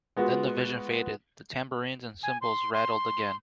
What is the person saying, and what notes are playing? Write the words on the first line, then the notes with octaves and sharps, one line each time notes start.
Then the vision faded, the tambourines and cymbals rattled again.
G#3 B3 F4 F#4
G#5
C6
C6